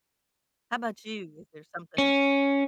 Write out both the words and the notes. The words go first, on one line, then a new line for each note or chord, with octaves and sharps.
How 'bout you? Is there something
C#4